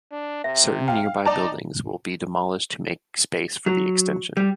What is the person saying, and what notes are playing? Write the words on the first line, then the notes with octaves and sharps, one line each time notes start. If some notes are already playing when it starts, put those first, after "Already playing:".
Certain nearby buildings will be demolished to make space for the extension.
D4
C3 E5
F5 G5
D#4 D5 A5 A#5
F#3
G3